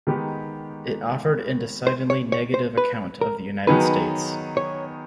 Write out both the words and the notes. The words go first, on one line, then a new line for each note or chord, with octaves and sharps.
It offered an decidedly negative account of the United States.
D#3 G#3 B3 D#4 G4
C5
C#5
C#5
C5
B4
A#4
D#3 F#3 B3 D#4 G#4 B4
C#5